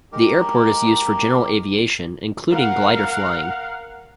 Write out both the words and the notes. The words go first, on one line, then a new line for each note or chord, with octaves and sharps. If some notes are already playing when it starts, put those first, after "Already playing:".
The airport is used for general aviation, including glider flying.
G#3 D#4 G4 A#4
A#4 F5 F#5